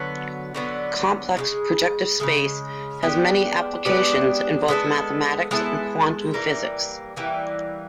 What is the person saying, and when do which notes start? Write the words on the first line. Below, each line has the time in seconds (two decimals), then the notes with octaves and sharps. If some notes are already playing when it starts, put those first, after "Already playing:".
Complex projective space has many applications in both mathematics and quantum physics.
Already playing: D3 F#3 B3
0.54 D3 F#3 B3
1.37 C#3 F3 G#3
2.20 C#3 F3 G#3
3.03 G#3 B3 D4 G4
3.85 G#3 B3 D4 G4
4.68 G#3 B3 E4 A4
5.51 G#3 B3 E4 A4
6.34 E3 G3 A#3
7.16 E3 G3 A#3